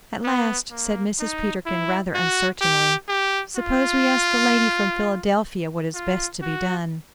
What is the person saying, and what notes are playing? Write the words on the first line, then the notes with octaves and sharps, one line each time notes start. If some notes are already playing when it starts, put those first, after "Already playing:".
At last said Mrs. Peterkin, rather uncertainly, "Suppose we ask the lady from Philadelphia what is best to be done."
B3
A#3
D#4
E4
F#4
G4
G4
F4
F4
F#4